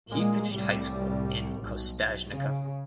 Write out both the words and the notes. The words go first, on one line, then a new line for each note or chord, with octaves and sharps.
He finished high school in Kostajnica.
A#2 G#3 A#3
C2 A2 G3
B1
C#3